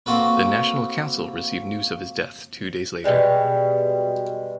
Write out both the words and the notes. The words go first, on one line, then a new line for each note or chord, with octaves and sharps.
The National Council received news of his death two days later.
A#3 C4 F#4 A4 B4
B2 D#3 G3 G#3